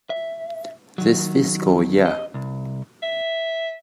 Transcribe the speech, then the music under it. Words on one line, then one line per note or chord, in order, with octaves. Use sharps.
This fiscal year.
E5
D#3 F#3
D#5
C2
E5